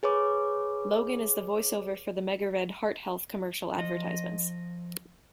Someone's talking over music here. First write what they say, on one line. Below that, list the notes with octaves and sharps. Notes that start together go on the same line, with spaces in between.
Logan is the voice-over for the MegaRed heart health commercial advertisements.
G#4 B4 C#5 D6
F3 D#5